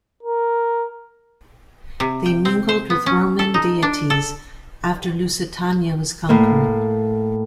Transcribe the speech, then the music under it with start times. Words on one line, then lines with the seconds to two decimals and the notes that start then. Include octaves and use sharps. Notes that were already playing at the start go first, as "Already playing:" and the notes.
They mingled with Roman deities after Lusitania was conquered.
0.23 A#4
2.00 C3
2.26 G5
2.45 C4
2.69 C5
2.90 B3
3.06 C#4
3.39 A4
3.54 D#4
3.83 D4
4.10 A4
6.29 A2 A#3